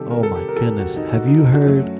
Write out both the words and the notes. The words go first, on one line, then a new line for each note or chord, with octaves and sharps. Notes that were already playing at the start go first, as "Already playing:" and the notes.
Oh my goodness, have you heard
Already playing: C3 D#3 G3 G4 A4
A#4
A4
G4
A#4
A4
G4
F#4
D#4
F#4
D#4
D#4
F#4
F#2 F#3 A3